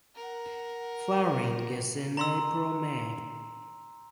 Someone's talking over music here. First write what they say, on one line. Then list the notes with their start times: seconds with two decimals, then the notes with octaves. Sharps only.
Flowering is in April–May.
0.15 A#4 F#5
2.17 A#5 C6 E6